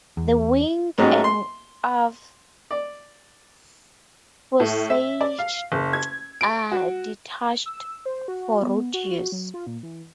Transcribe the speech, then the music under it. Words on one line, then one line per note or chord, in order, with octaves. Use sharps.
The wing and aft fuselage are detached for road use.
E2
G#2 F#3 G3 A#3 C#4 D#4
C6
D5
A2
E5
D5
F5
F#1
G#6
D7
F#4
E6
C5
F#4
B3
F#4
F#3
F4
A#2
E3